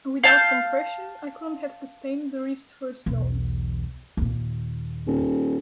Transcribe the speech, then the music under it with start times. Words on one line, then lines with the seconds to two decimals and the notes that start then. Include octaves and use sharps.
Without compression, I couldn't have sustained the riff's first note.
0.24 F5 A5 G6
3.06 B1 E2
4.17 D#2 A#2
5.06 D#1